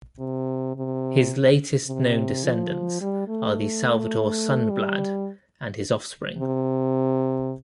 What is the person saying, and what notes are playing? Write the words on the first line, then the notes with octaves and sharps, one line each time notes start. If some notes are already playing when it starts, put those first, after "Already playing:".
His latest known descendants are the Salvador Sundblad and his offspring.
C3
C3
C3
F3
G3
A3
G3
C3